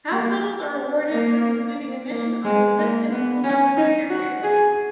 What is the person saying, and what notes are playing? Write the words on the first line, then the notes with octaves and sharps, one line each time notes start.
Half-medals are awarded for completing a mission on a set difficulty with either character.
A#3
A#3
A#3
G#3
A#3
B3
C#4
D#4
F#4
G#4